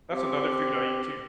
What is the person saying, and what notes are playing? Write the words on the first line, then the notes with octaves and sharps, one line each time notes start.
That's another food I eat too.
C4 G4